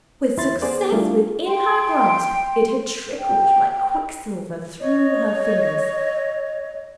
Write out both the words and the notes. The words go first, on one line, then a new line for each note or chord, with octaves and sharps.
With success within her grasp, it had trickled like quicksilver through her fingers.
E2 E4 E5 C6 A6
B3 G#4 C5 D5
G3 A3 D4 E4 F4
G5 C6
G5
C#5 D#5